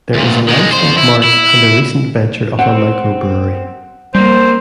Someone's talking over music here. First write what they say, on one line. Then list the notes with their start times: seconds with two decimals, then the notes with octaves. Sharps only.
There is a livestock mart and a recent venture of a microbrewery.
0.14 D2 A#2
0.48 D#3 G#3
0.73 F2 C5
0.97 E4
1.24 E4
2.59 C4 F#5
4.15 G3 A#3 C4 C5